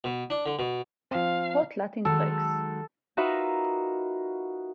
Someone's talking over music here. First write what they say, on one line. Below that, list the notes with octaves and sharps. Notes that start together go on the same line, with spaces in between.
Hot Latin Tracks.
B2
D4
D3
B2
F3 C4 F5
D#3 F#3 G#3 A4
D#4 F4 F#4 A#4 B4 E5